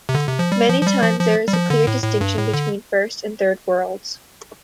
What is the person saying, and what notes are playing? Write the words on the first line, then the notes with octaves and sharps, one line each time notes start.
Many times there is a clear distinction between First and Third Worlds.
C3
D3
C3
F3
G3
F3
F3
G3
F3
F3
G3
F3
D3
A2
A2
G2
A2
D3